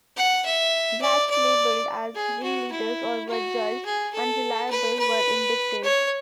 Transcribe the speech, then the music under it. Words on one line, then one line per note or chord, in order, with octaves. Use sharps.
Blacks labeled as ringleaders or who were judged "unreliable" were indicted.
F#5
E5
D5
D5
G#4
F#4
E4
F#4
G#4
A4
B4
B4
C#5